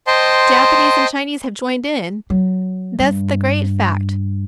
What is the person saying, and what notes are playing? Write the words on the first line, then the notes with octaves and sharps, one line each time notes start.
The Japanese and Chinese have joined in. That's the great fact.
C5 D#5 G5 A5 C6
F#3
G2